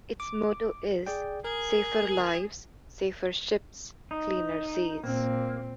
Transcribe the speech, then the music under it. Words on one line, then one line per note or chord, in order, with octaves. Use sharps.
Its motto is "Safer Lives, Safer Ships, Cleaner Seas".
D6
G#4 D5 G5
G#4 A#4
D#4
A#2 A#3 C4